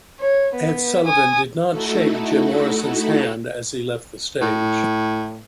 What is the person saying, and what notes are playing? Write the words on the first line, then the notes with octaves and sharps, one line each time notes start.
Ed Sullivan did not shake Jim Morrison's hand as he left the stage.
C#5
B3
G#5 D#6
A3 D#4 E4 F#4 A4
A2